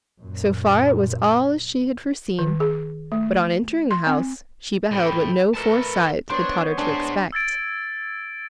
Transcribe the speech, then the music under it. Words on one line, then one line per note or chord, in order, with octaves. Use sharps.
So far it was all as she had foreseen; but on entering the house she beheld what no foresight had taught her to expect.
F#2 A#2
D#3
G#4
A3
C6
C4
A2 C4 G5 B5
A3 A#4 B4 A5
B3 D4 C5 C#5
D4 G#4 C5
E6 G#6 A6 D7